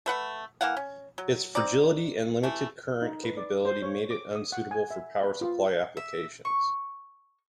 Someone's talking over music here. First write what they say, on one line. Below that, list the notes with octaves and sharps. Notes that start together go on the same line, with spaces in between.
Its fragility and limited current capability made it unsuitable for power supply applications.
A3 B4 F#5
E3 A#3 F5 F#5
C#4
F#3
C4 D#4 D5
E3 A3
D#4
B4
D5
C5
C#5
D6
D#6
F#5
G#5
E5
B4
F4
E5
C#6